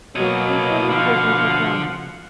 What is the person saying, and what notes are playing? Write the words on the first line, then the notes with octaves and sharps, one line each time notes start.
And so the business has gone on.
B2 F#3 A#3 C#5 D#5
D3 F3 F5 F#5